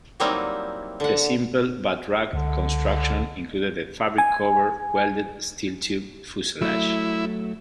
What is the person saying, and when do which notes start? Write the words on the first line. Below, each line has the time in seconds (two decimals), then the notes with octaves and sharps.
The simple but rugged construction included a fabric-covered welded steel tube fuselage.
0.20 F#3 G3 A#3 C4 D#4 E4
1.00 D3 F#5
2.33 C#2 D3
4.18 G#5
6.61 F#3 A3 E4